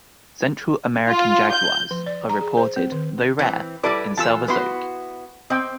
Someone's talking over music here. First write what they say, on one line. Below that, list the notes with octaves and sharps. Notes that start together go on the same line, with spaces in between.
Central American jaguars are reported, though rare, in Selva Zoque.
F4
G6
F3
D5
A#5
G#4
C5
C4
D#3
E3 C4
G3 E4 A4 B4 D5 D6
E3 F4 A4 A5 E6
B3 E4 F#4 B4 C6
C4 D#5 G5